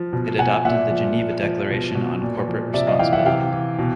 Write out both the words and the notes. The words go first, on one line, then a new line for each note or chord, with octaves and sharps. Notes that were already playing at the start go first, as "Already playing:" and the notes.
It adopted the Geneva Declaration on corporate responsibility.
Already playing: F3
B2
B2 F#5 G#5
A#2 E5 F#5
F3
A#2
F3
B2
B2
A#2
F3
C3 D5 E5
D#5 F5
E3 F5 G5
E5 F#5
C3 F5 G5
E3
B2